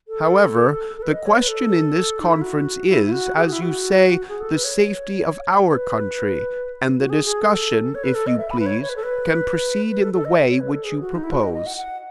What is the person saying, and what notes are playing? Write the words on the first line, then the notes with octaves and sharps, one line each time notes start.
However, the question in this conference is, as you say, the safety of our country; and the discussion, if you please, can proceed in the way which you propose.
A4
A4
B4
D#5
C#5
B4
A4
D#4
E4
F#4
E4
E4
F#4
G#4
F#4
E4
F#4
G#4
A4
B4
C#5
B4
F#4
G#4
G#4
A4
C#5
B4
A4
D#5
E5
B5
B4
C#5
C#5
B4
A4
B4
B4
A4
A4
D#5
C#5
B4
A4
G#4
F#4
D#4
E4
F#4
D#5
D#5
F#5
F#5